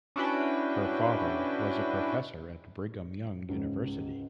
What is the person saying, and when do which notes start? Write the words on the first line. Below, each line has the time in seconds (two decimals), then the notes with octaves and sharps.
Her father was a professor at Brigham Young University.
0.16 C#4 D4 E4 F#4 B4 G5
3.49 C#2 G#2 C#3